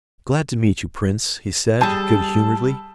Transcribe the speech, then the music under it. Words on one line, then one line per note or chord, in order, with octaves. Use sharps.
"Glad to meet you, Prince," he said, good humouredly.
G3 G#4 A4 A5 G6